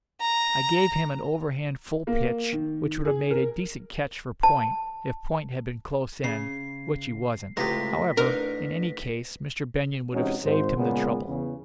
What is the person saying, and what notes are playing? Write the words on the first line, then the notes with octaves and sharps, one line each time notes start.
I gave him an overhand full pitch which would have made a decent catch for point, if point had been close in, which he wasn't. However, in any case Mr. Benyon would have saved him the trouble.
A#5
A#3
D#3
G#4
A#4
A5
C#3 C7
C#2 A2 C3 G#3 F4 G4 A#6 B6
A1 D4 D#4 A#4
C3 E3 G#3 C#4 D#4 F#4
G#1 G#2 C5
A#2 C#3 G#3 B3
E2 C#3